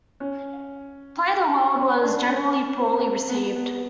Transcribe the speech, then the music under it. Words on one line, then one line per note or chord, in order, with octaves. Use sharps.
"Play the World" was generally poorly received.
C#4
C#4
D4
C#4
C4
B3
B3